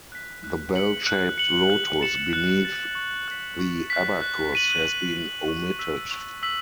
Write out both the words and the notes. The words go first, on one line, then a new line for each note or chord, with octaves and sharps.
The bell-shaped lotus beneath the abacus has been omitted.
F#6 B6
F#6
C#7 F#7
F#6
C#7 F#7
F#6
A6 C#7 E7
F#6
A6 C#7 E7
C#6
F#6 B6
C#6
F#6 B6
F#6
B6 D#7 F#7
F#6
B6 D#7 F#7
C#6
E6 B6 F#7
C#6
E6 B6 F#7